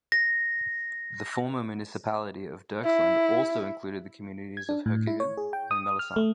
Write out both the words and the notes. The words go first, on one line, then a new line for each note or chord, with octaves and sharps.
The former municipality of Dirksland also included the communities of Herkingen, and Melissant.
A#6
E4
G#6
D4
A2
E4
C#5
G#4
G5
D#6
F6
A3